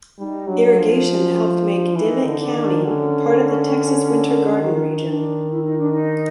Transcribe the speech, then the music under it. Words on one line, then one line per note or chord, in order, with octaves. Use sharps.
Irrigation helped make Dimmit County part of the Texas Winter Garden Region.
G3 D#4
F#3 D4
F3 D4
C#4
D4
E4
E3 D#4
D3 D#4
D4
D#3
D3 C#4
D#3 D4
C#4
D4
D4
E4
D#4
D4
D#4